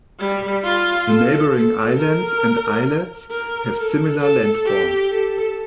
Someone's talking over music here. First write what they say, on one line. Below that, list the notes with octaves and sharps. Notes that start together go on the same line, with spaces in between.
The neighboring islands and islets have similar landforms.
G3
F4
A4
A4
A#4
A#4
A4
A4
G4
A4